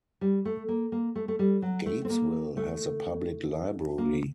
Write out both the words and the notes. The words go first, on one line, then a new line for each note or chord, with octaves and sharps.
Gatesville has a Public Library.
G3
A3
A#3
A#3
A3
A3
G3
F#3
A3
C4
A#3
A3
A#3